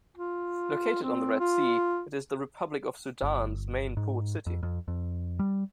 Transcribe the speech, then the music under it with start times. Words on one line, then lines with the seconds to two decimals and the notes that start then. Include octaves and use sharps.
Located on the Red Sea, it is the Republic of Sudan's main port city.
0.17 F4
1.03 C4
1.40 F4
3.22 G1
3.97 G#2
4.46 F2
4.63 F2
4.88 F2
5.39 G3